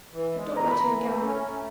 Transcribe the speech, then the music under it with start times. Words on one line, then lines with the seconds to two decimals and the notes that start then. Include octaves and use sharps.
But don't let him gamble.
0.13 E3
0.34 G#3
0.56 E3 A#5
0.67 B5
0.78 E3 A#5
0.99 A3
1.22 C#4
1.43 A3